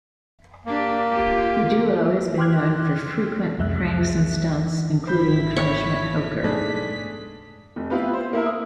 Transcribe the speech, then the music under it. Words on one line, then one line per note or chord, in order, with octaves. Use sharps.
The duo has been known for frequent pranks and stunts, including Punishment Poker.
A#3 D4 G4
F4 G4
G5 C6 D6 F6 F#6 G#6
C2 F2 G#3 E5 F#6
G#1 E4 C5 B5 G6 B6
C#5
F3
B1 G#2 G#3 A3 D4 G#4 B6
F1
B3 E4 F4 G4 B4
C5
A#3 E4 A#4
D#6